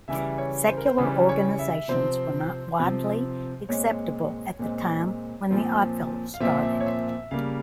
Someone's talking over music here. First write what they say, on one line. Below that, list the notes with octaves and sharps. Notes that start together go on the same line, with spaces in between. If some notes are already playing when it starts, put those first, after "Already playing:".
Secular organizations were not widely acceptable at the time when the Odd Fellows started.
C#3 E3 G3 E5
C#5
C5
A#4
C5
C#3 E3 G3 C5
C#5
E5
C3 F3 C4 C5
C3 F3 C4
A#2 G#3 C4 C#5
A#2 G#3 C4
A#2 F3 C4
F5
A#2 F3 C4 E5
E5
C#5
E5
E5
C#3 G3 A#3 F5